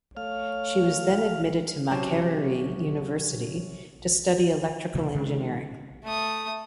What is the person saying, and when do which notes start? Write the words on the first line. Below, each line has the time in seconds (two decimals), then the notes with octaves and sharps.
She was then admitted to Makerere University to study electrical engineering.
0.17 A3 C#5 F5 F6
1.91 C3 F#3 C#4 G4 A5
4.94 D2 C3 E3 A#3
5.15 C3 D#3 G#3 C4
6.04 A3 D#6